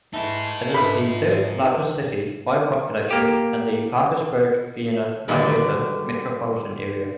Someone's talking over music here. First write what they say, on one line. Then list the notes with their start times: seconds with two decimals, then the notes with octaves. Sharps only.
It is the third largest city by population in the Parkersburg-Vienna-Marietta metropolitan area.
0.13 E3 A3 D#4 G#4
0.74 D4 A4 B4 B5
3.11 A#3 G4
5.28 D3 D#3 G3 A3 F#4 B4